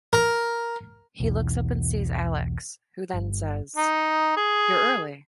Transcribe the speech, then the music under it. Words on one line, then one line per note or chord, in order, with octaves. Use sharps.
He looks up and sees Alex who then says "You're early".
A#4
B1 E2
G1
D#4
G#4